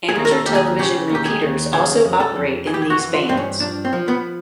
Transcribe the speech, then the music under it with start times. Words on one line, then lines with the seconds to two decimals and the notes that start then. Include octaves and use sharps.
Amateur television repeaters also operate in these bands.
0.09 G#4
0.16 D#2
0.25 A#4
0.31 A4
0.46 D#2 G4
0.55 G#4
0.79 C#3 G4
1.09 D#2
1.15 G4
1.25 G#4
1.42 D#2
1.73 C#3 G#4
2.04 F2
2.20 A4
2.36 F2
2.66 E3 G#4
2.74 G4
2.82 G#4
2.90 F#4
2.98 E3
3.13 F4
3.29 G2 C4
3.37 C#4
3.60 F3 D4
3.85 C4
3.93 F3
4.08 B3